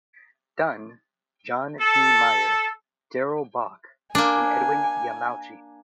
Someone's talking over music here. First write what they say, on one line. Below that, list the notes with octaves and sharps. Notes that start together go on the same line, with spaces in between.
Dunn, John P. Meier, Darrell Bock, and Edwin Yamauchi.
A4
A#3 D4 G#5